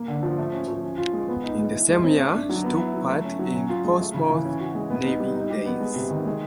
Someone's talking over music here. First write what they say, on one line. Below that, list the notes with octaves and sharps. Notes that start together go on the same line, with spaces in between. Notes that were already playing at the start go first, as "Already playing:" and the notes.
In the same year she took part in Portsmouth 'Navy Days'.
Already playing: A#3
D3
F3
A3
C#4
F3
C#4
F4
G#3
B3
D#4
G#3
E4
G#3
C4
A3
D4
F#3
B3
E4
F#3
A3
C#4
F#3
C#4
F4
G#3
A3
C#3
E3
C#4
F#4
G#3
B3
D#4
G3
D#4
G4
B3
G#3
C3
D#3
G#3